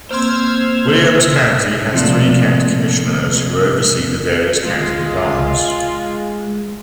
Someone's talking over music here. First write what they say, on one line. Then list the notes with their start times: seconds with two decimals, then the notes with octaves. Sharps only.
Williams County has three county commissioners who oversee the various county departments.
0.11 A#3 C4 C5 C6 E6 F6 G#6
1.93 C3 F3 A3 A#3 D4
4.66 G#3 F4